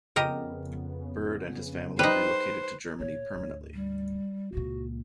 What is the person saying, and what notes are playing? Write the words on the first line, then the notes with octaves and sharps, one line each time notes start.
Bird and his family relocated to Germany permanently.
F2 C#3 B3 G4 A#4 D#5
G3 D#4 B4 C5
D2 A#2 C#5
D2 G#2
G3
C#2 A#2 F#4